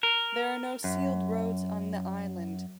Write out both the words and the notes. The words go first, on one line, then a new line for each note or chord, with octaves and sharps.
There are no sealed roads on the island.
A#4
F#2